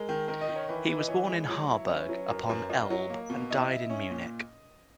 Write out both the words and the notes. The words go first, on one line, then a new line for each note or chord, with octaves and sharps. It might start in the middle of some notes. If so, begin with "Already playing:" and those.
He was born in Harburg upon Elbe and died in Munich.
Already playing: G#3 A#4
D#3
D#3 A#4
D#5
D#3
C#5
E3 B4
E3
D#5
E3 C#5
G#3
F#3 C#5
E4
C#4 B4
F#3
F#2 A#4
B4
F#2 A#4
F#2 D#5
F#3
A#3
B2
E4 D#5
E4
C#4
A#2